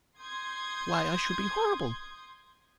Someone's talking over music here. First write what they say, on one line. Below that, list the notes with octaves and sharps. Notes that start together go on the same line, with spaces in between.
Why, I should be horrible!
C6 D#6 G6 G#6